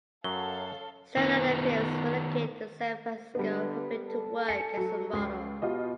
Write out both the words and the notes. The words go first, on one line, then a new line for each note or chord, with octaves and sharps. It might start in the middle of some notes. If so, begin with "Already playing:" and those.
Standing at Phillips relocated to San Francisco hoping to work as a model.
F#2 F#3 A4 C#5 F5 G7
D#3 B3
D3 G3 B3
A4
G#5 C#7
F#3
C#2 C7
B2 F4 G4 D#5